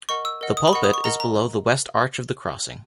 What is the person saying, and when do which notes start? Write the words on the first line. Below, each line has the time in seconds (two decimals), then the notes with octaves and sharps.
The pulpit is below the west arch of the crossing.
0.09 A#4 D#5 F#5 C#6
0.25 E6
0.41 A#4 D#5 F#5
0.57 D#6
0.67 B5
0.73 A#4 D#5 F#5 C#6
0.84 D#6
0.94 C#6
1.04 A#4 D#5 F#5 A#5
1.20 A#5